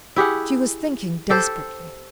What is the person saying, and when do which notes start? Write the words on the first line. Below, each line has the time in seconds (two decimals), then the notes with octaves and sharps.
She was thinking desperately.
0.16 E4 G4 G#4 F#5
1.30 G4 A4 C5